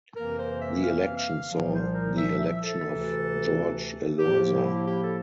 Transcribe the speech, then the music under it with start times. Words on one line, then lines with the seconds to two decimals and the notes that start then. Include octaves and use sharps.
The election saw the election of Jorge Elorza.
0.16 F2 C3 E3 A#3 A#4
0.39 C5
0.61 E5
0.84 F5
1.18 F5
1.51 C2 A#2 F3
1.73 C5
1.95 A#4
2.18 E5
2.40 E5
2.63 A4
2.85 D2 C3 E3
4.19 A2 F3 A#3 G4
4.64 E4
4.87 G4
5.04 A4